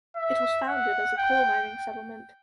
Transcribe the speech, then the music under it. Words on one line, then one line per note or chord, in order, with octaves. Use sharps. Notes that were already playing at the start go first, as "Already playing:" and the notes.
It was founded as a coal mining settlement.
E5
F#5
G5